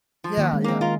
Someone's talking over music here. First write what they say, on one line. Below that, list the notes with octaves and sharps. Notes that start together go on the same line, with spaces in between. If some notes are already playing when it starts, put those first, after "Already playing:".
Yeah, yeah.
F3
D#3 A#3
G#3 C#4
A#3 C4
F4 A#4